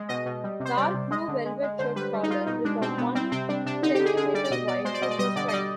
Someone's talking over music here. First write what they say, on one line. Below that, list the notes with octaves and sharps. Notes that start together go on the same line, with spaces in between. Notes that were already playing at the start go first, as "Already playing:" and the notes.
Dark blue velvet shirt collar with a one centimetre wide silver stripe.
Already playing: G#3
B2 D#5
B2
G3
C3
C5
G3 D5
C3
G#3 D#5
D3
G#3
G#3
D3 C5
G3 B4
G3
D#4
G3 F4
B2 D#4
G#3 D4
B2 C4
B2 B3
G3 C4
C3 C4
G3 D4
C3 D4
D3 D#4
G4
D3
G#4
D3 G#4
G3 D5
D5
B2 D#5
B2 D5
G#3 C5
D5
B2 D#5
D5
G3 D#5
D3 D5
D#5
G3 D5